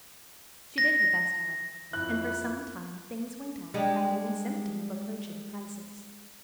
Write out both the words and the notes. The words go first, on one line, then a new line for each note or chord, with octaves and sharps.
She did her best, however; and for some time things went on without any symptom of approaching crisis.
A#6
F2 E4 F#6
G3 G#3 D4